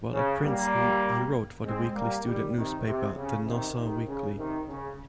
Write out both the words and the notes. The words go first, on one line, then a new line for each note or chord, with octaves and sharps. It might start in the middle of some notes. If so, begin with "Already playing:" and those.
While at Princeton, he wrote for the weekly student newspaper, the "Nassau Weekly".
C#3
G3 A#3
G#3 C4
G3 A#3
D#3 G3
C3 D#3
C3
C#3
C3 D#3
C3 D#3
C#3
C3 D#3
C#3